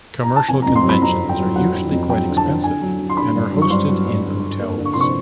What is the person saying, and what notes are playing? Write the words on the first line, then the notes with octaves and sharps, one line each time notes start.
Commercial conventions are usually quite expensive and are hosted in hotels.
A#5
A5
F1 G#5
A#5
F2
C6
F#3
B5
F2 A#5
D3
G5
F#3
F#3 F#5
F#3
F2
F#3 G5
D3
A5
D3
D3 G#5
F#3
F#3
C6
D3 B5
G2
F#3
C#6
G2 C6
F#3
G2
D3
D3
A#3
D3
C#6
F1 C6
C#6